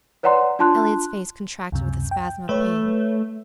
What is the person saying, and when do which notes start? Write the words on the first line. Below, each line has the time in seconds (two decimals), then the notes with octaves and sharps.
Elliott's face contracted with a spasm of pain.
0.23 B4 C#5 D5 F#5 A#5 C6
0.59 D4 F4 A5 C6 F#6
1.72 C#2 F#2 C3
2.11 G5
2.49 A3 B4 C#5